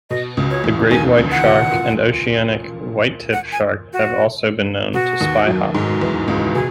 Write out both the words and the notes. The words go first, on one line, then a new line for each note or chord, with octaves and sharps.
The great white shark and oceanic whitetip shark have also been known to spyhop.
B2 D#5
C#2 C#3
C#5
E2 E3
D#2 D#3 G#5
C#2 C#3
F#5
B2
A#2
F#5
G#5
F#4
B2 F#4
D#2 D#3
F#2 F#3
G#2 G#3
E2 E3
C#2 C#3
B2 G#4